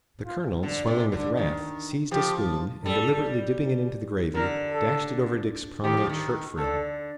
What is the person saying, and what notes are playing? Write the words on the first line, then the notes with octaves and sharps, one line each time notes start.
The colonel, swelling with wrath, seized a spoon, and deliberately dipping it into the gravy, dashed it over Dick's prominent shirt-frill.
F4
D3
C3
D3
D#3
F3 G4
G3 A4
D3 A#4
A4
D#3 G4
F3
D#3
D3 A4